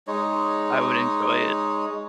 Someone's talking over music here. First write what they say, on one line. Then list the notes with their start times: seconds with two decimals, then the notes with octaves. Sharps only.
I would enjoy it.
0.07 G#3 D#4 C#5